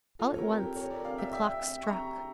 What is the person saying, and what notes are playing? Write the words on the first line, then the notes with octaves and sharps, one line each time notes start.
All at once, the clock struck.
F4 A4
C#5
G4 A#4
A4
G4 A#4
A4 C#5
A#4 D5
D5 F5
E5 G5
E5 G5
E5 G5
C#6
G5 A#5